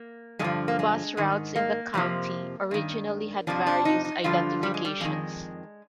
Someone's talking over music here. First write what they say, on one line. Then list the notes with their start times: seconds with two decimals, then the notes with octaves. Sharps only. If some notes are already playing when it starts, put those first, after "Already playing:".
Bus routes in the county originally had various identifications.
Already playing: A#3
0.39 G2 D3 F3 G#3
0.68 A#3
0.79 G#3
1.17 G#2 D#3
1.56 A#3
1.94 F2 C3 F3
2.71 G2 D#3
3.47 F2 C3 F3 D4
3.67 D4
3.85 D#4
4.05 D#4
4.24 G2 D3 F3 F4
4.63 G3
4.74 G#3
4.85 G3
5.00 F2 D#3 G#3